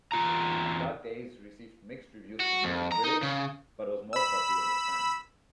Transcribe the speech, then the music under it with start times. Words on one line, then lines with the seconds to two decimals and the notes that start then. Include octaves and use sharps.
"Dark Days" received mixed reviews from music critics but was more popular with fans.
0.12 E2 D#3 F4 A#5
2.40 F#4
2.64 F2
2.92 A#5
3.04 D#4
3.22 C#3
4.13 B5 E6